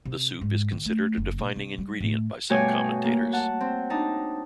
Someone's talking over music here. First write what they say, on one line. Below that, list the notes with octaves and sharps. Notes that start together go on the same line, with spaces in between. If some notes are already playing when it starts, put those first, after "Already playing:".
The soup is considered a defining ingredient by some commentators.
C3
G#2
D#3
A3
F#1
A#2
C3
G3
A2
G2 B2 A3 G4 C#5 G#5
A#3
F#5 A5
C4
D4 D#4 A5